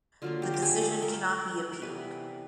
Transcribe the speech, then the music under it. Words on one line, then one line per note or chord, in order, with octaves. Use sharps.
The decision cannot be appealed.
D3 F#3 A#3 F4
G4
G4
G#4
A4
A#4
A#4
C3 E3 G3 B3 B4